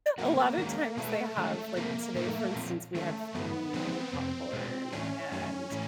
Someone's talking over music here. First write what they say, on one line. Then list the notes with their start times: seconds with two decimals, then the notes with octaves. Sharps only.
a lot of times they have, like today, for instance, we had free popcorn and
0.18 C#3 F#3 A3 A#3 D4 F#4
0.58 D#3 G#3 A#3 C#4 F#4
0.97 B2 G#3 A3 B3 E4
1.37 D#3 G#3 C#4
1.76 C3 F3 G#3 A#3 C4 E4
2.15 A#2 F3 A3 A#3 D#4
2.56 A#2 F3 G#3 C4 F4
2.95 D#3 G#3 A3 C#4 E4
3.35 G2 D3 F#3 A3 B3
3.73 D3 F3 G#3 B3 C4 D4
4.13 F2 C3
4.53 B2 G#3 B3
4.92 A2 E3 A3 C#4 D4
5.32 F#2 D#3 F#3 A3 C#4
5.72 A2 E3 A3